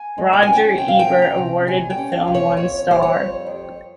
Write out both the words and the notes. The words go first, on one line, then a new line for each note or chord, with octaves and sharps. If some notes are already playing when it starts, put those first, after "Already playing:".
Roger Ebert awarded the film one star.
Already playing: G#5
G#3
G5
C#4 G#5
G5
C3 G5
F5
G5
C#4
A#5
C3
G3 G#5
G5
C#4
F5
C3
C#5
F2 C#5
G3 C5
C#5
F2
F2